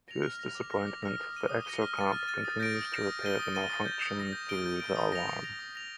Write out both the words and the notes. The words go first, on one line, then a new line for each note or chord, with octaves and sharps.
To his disappointment, the Exocomp continues to repair the malfunction through the alarm.
A#6 F7
F6
A#6 F7
D6
F6 A#6
D6
F6 A#6
D#6
A#6 D#7 G7
D#6
A#6 D#7 G7
F6
A6 D#7
F6
A6 D#7
D#6
G6 A#6 D7
D#6
G6 A#6 D7
D#6
A6 D#7 G7
D#6
A6 D#7 G7
D#6
G6 A#6
D#6
G6 A#6
G6
D7 G7
G6
D7 G7
D#6
A#6 F7
D#6
A#6 F7
D#6
A#6 F7